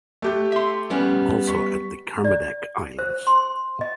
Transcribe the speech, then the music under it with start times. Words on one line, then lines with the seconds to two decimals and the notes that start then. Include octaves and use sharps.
Also at the Kermadec Islands.
0.22 A3 G4 G6
0.52 E5 C6
0.90 G3 B3 C#4
1.47 C#6 B6
2.24 D5
2.99 C5
3.27 C6
3.81 D#5